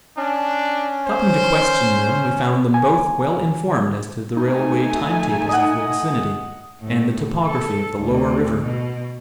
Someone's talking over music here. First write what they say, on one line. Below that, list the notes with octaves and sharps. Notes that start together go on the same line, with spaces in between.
Stopping to question them, we found them both well-informed as to the railway time-tables of the vicinity and the topography of the lower river.
C#4 D4
C5
G#5
A3 D#4 G#5
D#5 F#5
A2
A4
D2
B2